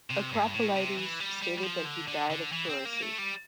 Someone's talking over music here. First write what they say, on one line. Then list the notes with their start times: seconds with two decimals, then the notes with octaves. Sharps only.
Akropolites stated that he died of pleurisy.
0.10 C3
0.32 G2
0.54 A2
0.75 C3
0.98 E3
1.20 G3
1.42 G3
1.58 G3
1.63 F3
1.85 D3
2.08 D3
2.30 D3
2.52 E3
2.69 C4
2.85 A#3
3.02 A3
3.18 G3